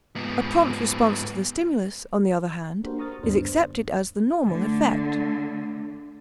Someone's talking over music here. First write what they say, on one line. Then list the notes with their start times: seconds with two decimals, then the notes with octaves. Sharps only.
A prompt response to the stimulus, on the other hand, is accepted as the normal effect.
0.16 G#2 B3
2.84 A#3 D4 F#4 G4 A#4 C5
2.99 A#5 C#6 D#6 F6 A6
3.23 D2 G2 B3 D4 C5
4.47 D3 A3